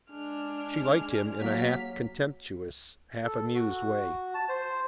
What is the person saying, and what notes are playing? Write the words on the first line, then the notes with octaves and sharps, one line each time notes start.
She liked him in a half-contemptuous, half-amused way.
G#3 D4 F6
F#3 A#3 B6
A4
F#4
A5
C5